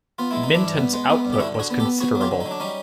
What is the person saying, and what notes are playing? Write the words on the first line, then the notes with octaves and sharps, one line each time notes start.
Minton's output was considerable.
B3 F4
G#3 E4
D#4
E3
D4 E4
G2
B3
G#3
B3
G2
G4
D3 E4 F#4
D3
F#4 G#4
B3
G4 A4
B3
B3 F#4 G#4
F#3
F4 G4
D3
D#4
F#3
D4
G3 C#4 D#4